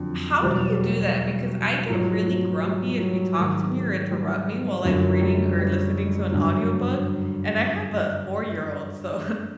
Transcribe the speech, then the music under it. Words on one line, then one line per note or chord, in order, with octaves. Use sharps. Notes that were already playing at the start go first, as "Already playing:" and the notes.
How do you do that? Because I get really grumpy if you talk to me or interrupt me while I'm reading or listening to an audiobook. And I have a four-year-old, so
Already playing: F2 D3 F#3
E2 B2 F#3 G3
G#2 F3 F#3
F#3
G3
F#3
G#2 D#3 F#3
G3
F#2 D3 F3 F#3
G3
G3
G2 D3 F#3